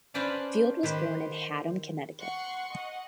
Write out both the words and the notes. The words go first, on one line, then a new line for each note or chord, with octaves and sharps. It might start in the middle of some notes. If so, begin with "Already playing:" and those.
Field was born in Haddam, Connecticut.
C#4 D4 B4 C5 D5 F5
D#3 G4 B4 C5
F#5 C6 C#6
D#5 F#5